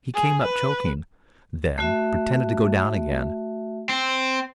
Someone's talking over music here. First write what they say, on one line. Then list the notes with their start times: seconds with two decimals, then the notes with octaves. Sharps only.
He came up choking, then pretended to go down again.
0.14 G#4
0.43 B4
1.78 A3 F#4 E5
3.89 C4